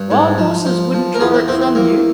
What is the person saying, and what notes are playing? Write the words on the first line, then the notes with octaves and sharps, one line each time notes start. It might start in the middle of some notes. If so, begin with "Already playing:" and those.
Wild horses wouldn't draw it from you?
Already playing: G2
G#2
F3
F3
F3
A#4
E2 F4 G#4
C4
E2 C4
C4
E2 A#3